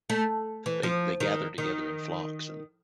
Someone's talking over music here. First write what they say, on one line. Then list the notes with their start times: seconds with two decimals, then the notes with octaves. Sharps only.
They they gather together in flocks and
0.10 A3
0.66 E3
0.83 F3
1.20 D#3
1.58 D#3